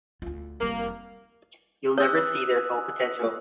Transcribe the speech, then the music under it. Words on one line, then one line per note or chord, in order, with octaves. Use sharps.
You'll never see their full potential.
D2 F4
F1 G3 A#3
C#5 D#6 E6 F#6